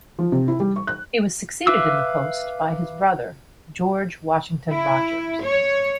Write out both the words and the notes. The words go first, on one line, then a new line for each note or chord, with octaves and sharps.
He was succeeded in the post by his brother George Washington Rodgers.
F3
C3
E4
G3
C#6
F#6
B4 E5 F5 D6 E6
E4
C#5